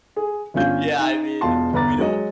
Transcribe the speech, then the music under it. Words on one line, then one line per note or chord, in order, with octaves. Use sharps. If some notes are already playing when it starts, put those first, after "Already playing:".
yeah, I mean, we don't
G#4
G1 G2 C#4 F4 G6
D#4
E1 E2 B2 F4 A5 C6
G1 E2 B4 A#5 D6 A6
F#3 G#3 C#5 D#5